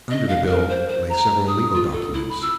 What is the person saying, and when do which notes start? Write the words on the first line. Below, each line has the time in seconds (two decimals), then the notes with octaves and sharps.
Under the bills lay several legal documents.
0.10 D#5
0.28 F5
0.46 A#4
0.69 C5
0.88 C5
1.09 A#5
1.47 D#6
1.74 F4
1.91 A4
2.13 E4
2.29 B5
2.41 E6